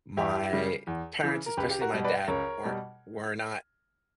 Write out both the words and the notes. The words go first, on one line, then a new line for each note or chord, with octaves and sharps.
my parents, especially my dad, weren't were not
E2 E4 G4
C#3 G3
E2
C#3 E3
A#4
C#2 G4 B4
G4
F#4 A#4
B2 G3
B4 D5
C#2 A#4 C#5
B2 G3